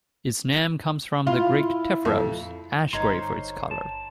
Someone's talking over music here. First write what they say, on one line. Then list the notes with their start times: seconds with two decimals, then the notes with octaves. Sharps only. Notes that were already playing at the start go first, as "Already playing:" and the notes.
Its name comes from the Greek "tephros", "ash gray", for its color.
1.27 E4 F4
2.05 F2
2.93 G1 D#4 A#4 C5 C#5 C6
3.71 A5